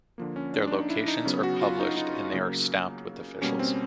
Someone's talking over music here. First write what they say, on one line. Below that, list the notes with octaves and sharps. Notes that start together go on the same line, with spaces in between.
Their locations are published and they are staffed with officials.
D3 F3 A#3
C#4
D4
D4
D#4
E4
D#4
C#3 F#3 B3 C#4
F#4
F4
D#4
D#4
C#3 F#3 A#3
B2 G3 A#3 C#4
C4